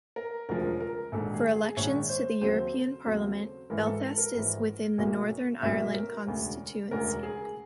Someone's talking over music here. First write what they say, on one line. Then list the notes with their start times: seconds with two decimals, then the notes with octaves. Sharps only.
For elections to the European Parliament, Belfast is within the Northern Ireland constituency.
0.16 A#4
0.49 E1 D2 C#3 F3 A#4
0.80 A#4
1.12 A#1 G#2 D#3 A4
1.34 G#4
1.56 G#4
1.77 A#1 G#2 D#3 C#5
2.09 C5
2.41 D#2 C#3 F#3 A3 C4 C5
3.05 D#2 C#3 F#3 A3 C4
3.70 G#1 G#2 E3 A#4
3.86 A4
4.18 A#4
4.34 G#1 G#2 E3
4.98 B1 A2 F#3 A#3 C#4
5.62 B1 A2 F#3 A#3 C#4 E5
5.94 A#4
6.27 E1 D2 C#3
6.91 E1 D2 C#3 A#4
7.23 G#4